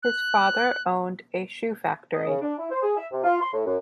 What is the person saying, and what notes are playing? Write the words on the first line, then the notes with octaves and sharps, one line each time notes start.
His father owned a shoe factory.
F#6
D#5
C#3
D4
E4
C5
G#4
E5
C3
F4
C6
A2
F#2